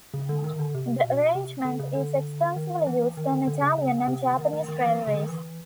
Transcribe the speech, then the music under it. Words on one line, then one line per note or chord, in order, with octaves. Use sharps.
The arrangement is extensively used on Italian and Japanese railways.
C#3
D3
D#3
D3
C3
B2
C3
D3
C#3
D3
D#3
E3
D#3
D3
D3
C#3
C#3
C3
D#3
D#3
D#3
E3
C#3
D3
D#3
E3